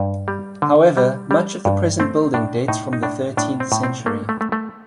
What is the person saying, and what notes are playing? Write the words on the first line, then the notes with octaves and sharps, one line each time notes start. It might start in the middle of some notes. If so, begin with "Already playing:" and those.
However, much of the present building dates from the thirteenth century.
Already playing: G2
G3
D3
G3
G3
G2
A3 C4
A2 D4
A2 D#4
D#4
A2 D4
A2 D4
C4
A2
C4
A3 A#3
A3
A3
A3